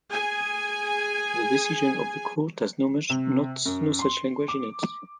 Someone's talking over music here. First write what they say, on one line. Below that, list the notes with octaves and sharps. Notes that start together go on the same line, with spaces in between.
The decision of the court has no such language in it.
G#4 G#5
C3
F#2
C6
D6